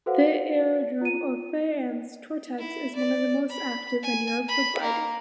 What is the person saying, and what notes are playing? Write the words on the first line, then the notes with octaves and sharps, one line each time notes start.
The aerodrome of Fayence-Tourettes is one of the most active in Europe for Gliding.
F#4 A4 B4 C5 F5 F#5
F4 D#7
E4
D5
B5
G#5
B5
A#3